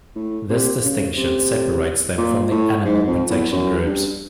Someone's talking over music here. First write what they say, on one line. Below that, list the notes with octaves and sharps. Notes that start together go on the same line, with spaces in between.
This distinction separates them from the animal protection groups.
A2
C3
C#3
C3
A#2
A2
G#2
F2
E2
F#2
G2